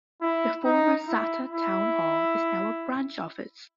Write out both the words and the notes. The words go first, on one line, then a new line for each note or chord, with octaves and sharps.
The former Sata Town Hall is now a branch office.
E4
D#4
E4
E4